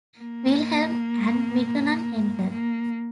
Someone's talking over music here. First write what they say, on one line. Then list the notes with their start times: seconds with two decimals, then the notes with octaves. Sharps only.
Wilhelm and Mignon enter.
0.19 A#3
2.51 A#3